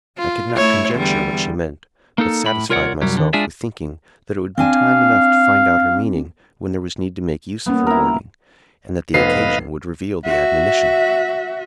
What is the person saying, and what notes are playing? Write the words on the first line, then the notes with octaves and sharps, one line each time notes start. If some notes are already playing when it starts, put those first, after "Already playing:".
I could not conjecture what she meant, but satisfied myself with thinking that it would be time enough to find out her meaning when there was need to make use of her warning, and that the occasion would reveal the admonition.
F4
A3 E4 C#5
E2 D3 G3
A#3 D#4 A4
A2 B5
C2 F4 A#4 C#5 D5 F#5
C2 F#2 F#3 G3
D3 D#3
G#3 D4 F4 G#4 D5 E5
C4 D4 F5 G#5
G3 A#3 B3 C#4
E4 A#4
F1 B3 B4 D#5 F5 C7
F#4 E5